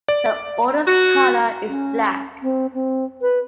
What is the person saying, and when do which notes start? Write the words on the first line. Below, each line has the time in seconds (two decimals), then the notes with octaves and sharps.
The Order's colour is black.
0.08 D5
0.87 F#4
1.67 C#4
2.42 C4
2.74 C4
3.22 B4